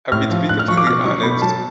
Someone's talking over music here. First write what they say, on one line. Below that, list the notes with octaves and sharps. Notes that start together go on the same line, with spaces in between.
I mean, to be completely honest
A2 F6
F3
A2 F#6
F6
F3 C#6
D6
B2 F6
F#3 C#6
B2 B5
F#3 A5